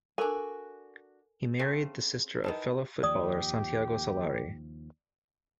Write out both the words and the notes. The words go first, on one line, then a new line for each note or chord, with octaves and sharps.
He married the sister of fellow footballer Santiago Solari.
D4 F#4 A4 A#4 G#5
C#3 A3 C4
D#3 E3 A5
D#2 F3 G4 D5 D#6